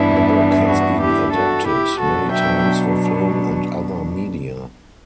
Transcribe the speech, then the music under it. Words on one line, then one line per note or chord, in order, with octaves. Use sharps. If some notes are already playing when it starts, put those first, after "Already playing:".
The book has been adapted many times for film and other media.
Already playing: G2 E3 B3 D4 E4
F#4
E4 G4
F#4 A4
E4 G4
B2 F#3 B3 D4 F#4 A4
E5 G5